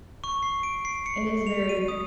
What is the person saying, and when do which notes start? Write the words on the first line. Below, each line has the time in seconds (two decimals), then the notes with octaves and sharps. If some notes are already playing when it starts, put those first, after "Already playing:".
It is very
0.24 C#6
0.43 C7
0.63 D7
0.85 C7
1.06 C#7
1.47 F7
1.69 D#7
1.88 D#6